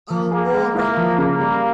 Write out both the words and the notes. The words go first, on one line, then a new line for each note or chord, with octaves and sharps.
Oh, all right.
F3
A#3 G#4
G#3
A#3 E4
F3
C#3 A#3
G3